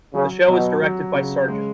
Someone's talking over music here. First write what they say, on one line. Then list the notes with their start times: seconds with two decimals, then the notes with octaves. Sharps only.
The show was directed by Sgt.
0.14 C#3 F#3
0.48 B2 F#3
0.82 F#3
1.15 C#3
1.48 G#3